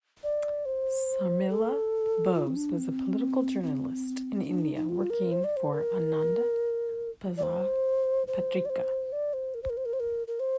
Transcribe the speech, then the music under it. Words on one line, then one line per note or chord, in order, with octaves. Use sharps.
Sarmila Bose was a political journalist in India, working for Ananda Bazar Patrika.
D5
C5
A4
F4
C4
D4
C4
C4
D4
D#4
D#4
F4
A#4
C5
D5
C5
A#4
D5
C5
C5
D5
C5
D5
C5
A#4
C5
A#4
C5
A#4
C5
A#4
A#4
C5